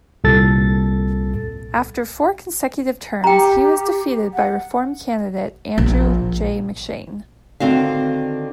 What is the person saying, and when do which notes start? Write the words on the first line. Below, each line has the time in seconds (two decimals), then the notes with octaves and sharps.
After four consecutive terms he was defeated by reform candidate Andrew J. McShane.
0.24 C2 A#2 A4 A6
3.24 G4 G5 A#5
4.34 F#5
5.78 A#1
7.60 D3 D#3 C4 F#4 F5